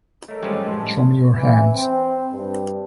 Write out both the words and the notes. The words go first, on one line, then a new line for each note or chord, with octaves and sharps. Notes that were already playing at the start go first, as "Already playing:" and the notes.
Show me your hands!
A3 A4 A#4 C#5 D#5
F3 G3 G#3 C#4 G4 B4
F#2 A2 G#3 A5 C6
E3
C4
G2